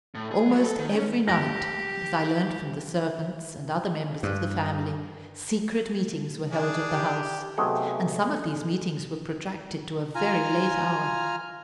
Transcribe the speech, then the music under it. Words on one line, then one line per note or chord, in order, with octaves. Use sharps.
Almost every night, as I learned from the servants and other members of the family, secret meetings were held at the house; and some of these meetings were protracted to a very late hour.
A2
G#4
F#3
A4
D#3
C#4
G4 A#6
G2
D4 G#4
G4
B1 C3 A3 G#4 D#5 F#5
A4
F4 G#5 A#5 F6